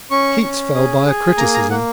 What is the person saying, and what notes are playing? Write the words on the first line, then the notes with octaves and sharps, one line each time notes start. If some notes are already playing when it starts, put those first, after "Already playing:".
KEATS fell by a criticism.
C#4 C#6
C#4
G#4
G#4
A#3 A#5
A#5
A#3 F#5